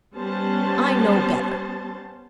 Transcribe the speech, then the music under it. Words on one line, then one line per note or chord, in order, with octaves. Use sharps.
I know better.
G3 B3 C#4 C5 A5